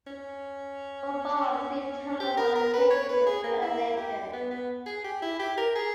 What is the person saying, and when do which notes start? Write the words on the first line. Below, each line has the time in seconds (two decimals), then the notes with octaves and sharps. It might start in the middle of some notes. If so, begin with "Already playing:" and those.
One form of C-terminal modification is prenylation.
0.07 C#4
2.20 G4
2.37 A#4
2.55 A#4
2.73 B4
2.90 C#5
3.09 B4
3.26 G#4
3.43 A#3
3.62 E4
3.97 G4
4.33 B3
4.51 B3
4.86 G#4
5.04 G4
5.22 E4
5.39 G4
5.58 A#4
5.75 G#4